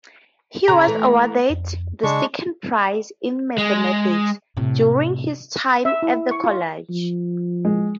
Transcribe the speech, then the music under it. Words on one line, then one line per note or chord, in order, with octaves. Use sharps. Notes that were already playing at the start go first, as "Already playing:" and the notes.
He was awarded the second prize in mathematics during his time at the college.
C#3 A#5
E3 A3
F2
C#3 G#3 D4 C#6
G#3
A2 C3
E5
E4
C#6
F4
F3
G#3